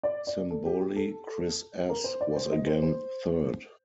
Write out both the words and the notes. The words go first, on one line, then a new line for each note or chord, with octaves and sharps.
Symboli Kris S was again third.
D5
D5
A4
G4
G4
A4
A#4
C5
D5
C5
D#5
C5
C5